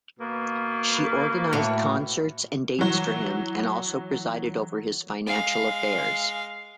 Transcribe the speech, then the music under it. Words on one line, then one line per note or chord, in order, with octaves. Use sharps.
She organized concerts and dates for him, and also presided over his financial affairs.
B2 A#3 B4
A2 F#4 C#5
E3 F#3
G#3 F5